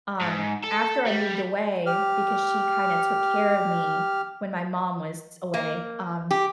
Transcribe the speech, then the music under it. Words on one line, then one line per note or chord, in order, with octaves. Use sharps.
um, after I moved away because she kinda took care of me when my mom was s away, um
G#2
A4
G3
G4 F6
A#3
G4